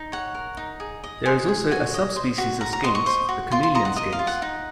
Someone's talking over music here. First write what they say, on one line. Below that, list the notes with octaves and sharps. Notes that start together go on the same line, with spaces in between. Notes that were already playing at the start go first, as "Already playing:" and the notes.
There is also a sub-species of skinks, the chameleon skinks.
Already playing: D#4
C#5 F#5
A#4
D#4
G#4
D#5
C5 G#5
G#4
F#4 G#5
D#5
C5
F#4
F#4 A#5
A#5
D#5 C6
C#6
C5
F#4
F4 C6
C6
D#5 A#5
F#5
A#4 D#5
F5
F4
F#5
D#4